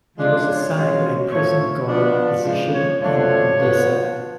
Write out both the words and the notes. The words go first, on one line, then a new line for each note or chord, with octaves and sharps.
He was assigned a prison guard position in Odessa.
C#3 F3 G#3 D4 F4 D5
C#5
B2 G#3 C#4 F4
A2 F3 A3 C#5
F3 B3 D4 F4 D5
C#3 F3 G#3
C#5
F#2 D3 F3 A3 D4 C#5
D3 F3 B3